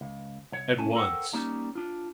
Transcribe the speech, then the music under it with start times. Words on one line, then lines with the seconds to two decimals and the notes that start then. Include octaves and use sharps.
At once.
0.01 C#2
0.52 C2 C#5
0.78 C2 C#4 G#5 A5
0.95 A4 A#4 C5 C#5 F#5 G5
1.33 G3 A#3 C#4 D#4
1.75 D4 F4